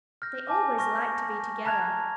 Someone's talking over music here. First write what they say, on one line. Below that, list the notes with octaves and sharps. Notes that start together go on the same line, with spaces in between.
They always like to be together!
F6 G6 A#6
G#5 A5 D6
A#5 C#6 F6 A#6
A5 A#5 F6 F#6 G#6 F7